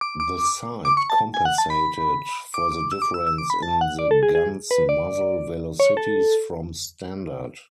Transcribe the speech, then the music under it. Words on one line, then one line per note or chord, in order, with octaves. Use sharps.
The sight compensated for the difference in the gun's muzzle velocities from standard.
D6
D6
D6
C#6
A5
G#5
F#5
A5
B5
D6
D6
E6
D6
E6
E6
D6
B5
A5
F#5
D5
A4
G#4
G#4
B4
D5
C#5
A4